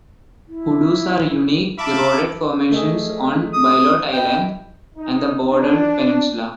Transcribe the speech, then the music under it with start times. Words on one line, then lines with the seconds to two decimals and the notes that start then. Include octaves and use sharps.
Hoodoos are unique eroded formations on Bylot Island and the Borden Peninsula.
0.48 E4
1.79 E5 F5 A5 B5 D6
2.71 A3 D#4 G#4
3.54 D#6
4.13 D#5 E5 G5 B5
4.97 D#4
5.52 D4